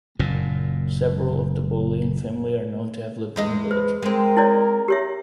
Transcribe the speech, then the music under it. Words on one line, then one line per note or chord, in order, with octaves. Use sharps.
Several of the Boleyn family are known to have lived in the village.
F#1 F#2 A#2
E2 G#3 D#5
B4 C5
G#3 C4 A#4
E4 C#5 D5
G4 C#5 E5